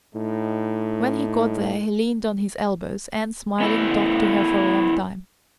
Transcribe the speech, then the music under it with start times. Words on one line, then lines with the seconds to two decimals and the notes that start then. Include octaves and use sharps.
When he got there he leaned on his elbows and, smiling, talked to her for a long time.
0.15 A2 D#4
3.60 B3 E4 A4